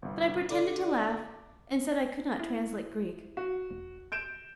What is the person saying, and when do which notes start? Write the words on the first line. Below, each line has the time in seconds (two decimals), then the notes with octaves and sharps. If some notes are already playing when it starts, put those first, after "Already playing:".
But I pretended to laugh, and said I could not translate Greek.
0.02 G1 C2
0.50 D3 D6
2.39 E4
3.37 F#4
3.71 E1
4.12 G6 D7 E7